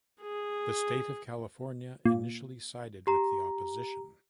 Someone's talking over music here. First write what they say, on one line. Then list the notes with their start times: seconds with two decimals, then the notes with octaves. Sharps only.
The state of California initially sided with the opposition.
0.21 G#4
2.05 A#2
3.07 G4 A#5